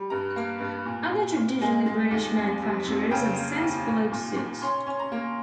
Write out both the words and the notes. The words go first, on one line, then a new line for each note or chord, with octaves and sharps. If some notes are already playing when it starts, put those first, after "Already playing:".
Other traditionally British manufacturers have since followed suit.
Already playing: G3
G2 A#5
A#3
G2
A#2
A#2
A#2
G#3 G#5
G#3
D#2
F2
C3
F2
C#3 G5
A#3
D#2
A#2
A#2
A#2
C#4 C6
C#4
A#5
A#3